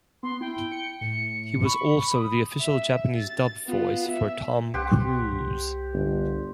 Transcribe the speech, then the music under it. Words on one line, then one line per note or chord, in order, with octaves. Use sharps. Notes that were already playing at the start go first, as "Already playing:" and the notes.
He was also the official Japanese dub-voice for Tom Cruise.
B3 C6
E4 G5
C#7
A2 C#7
B5 C#6
D#6
E5
A6
B3 F4
E5
C2 G4 C5 F#5
G1